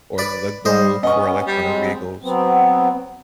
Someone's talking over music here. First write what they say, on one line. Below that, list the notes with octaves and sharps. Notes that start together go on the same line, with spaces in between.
Or, the goal for electronic vehicles.
B4 D5
G3 C5 D#5
B3 C#4 D#5 C#6
G3
F#3 G#3 C4
F#3 B3 C4